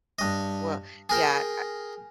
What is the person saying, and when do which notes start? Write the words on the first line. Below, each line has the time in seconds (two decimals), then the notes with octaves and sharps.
Well, yeah. Eh,
0.19 G2 D#5
1.09 G#4 A#4 G5